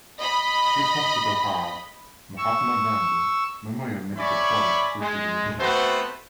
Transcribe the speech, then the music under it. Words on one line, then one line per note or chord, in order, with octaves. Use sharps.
This hospital has Mahatma Gandhi memorial medical college associated with it.
D#5 B5
C#6 E6
C#5 D5 E5 G#5 B5 C#6
G#3
A3 B3 C4 F#4 B4 C5